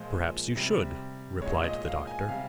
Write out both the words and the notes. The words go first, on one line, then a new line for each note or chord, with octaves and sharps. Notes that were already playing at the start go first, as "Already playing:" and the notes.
"Perhaps you should," replied the doctor.
Already playing: A#2 F3 G#3 C5
C3 G3
A#2 G#3 C#5
D#5
F5
G#5
C3 G3 F5